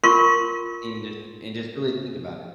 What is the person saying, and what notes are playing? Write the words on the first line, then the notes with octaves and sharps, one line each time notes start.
and just and just really think about it.
F4 A#4 C6 C#6